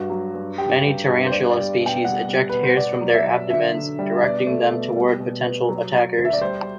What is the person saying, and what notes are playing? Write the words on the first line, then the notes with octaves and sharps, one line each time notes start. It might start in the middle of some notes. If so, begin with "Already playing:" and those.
Many tarantula species eject hairs from their abdomens, directing them toward potential attackers.
Already playing: G2 F#4
F#3
G2
G2 G4
G2
G2
C5
B3 D5
D5
G3
B2
G5
G3 F#5
G3
B2 B4
C5
B2 D5
F#3
D5
E5
F#3
D3 E5
D3
G3
B2 D5
A3
B2
G3
B2
B3
F#3
F#3
D2
E5
D5
G3 C5